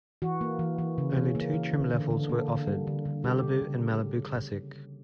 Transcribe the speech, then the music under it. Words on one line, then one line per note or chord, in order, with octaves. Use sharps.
Only two trim levels were offered - Malibu and Malibu Classic.
E3 F#4
A#3
E3
E3
C#3
E3
A#3
E3
D3
D3
D3
A#3
D3
G3
D3
D3
G3 G4
C#3
C#3